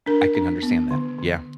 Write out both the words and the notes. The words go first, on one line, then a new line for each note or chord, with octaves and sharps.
I can understand that. Yeah.
D4 A#4
D4
B3
D3
D3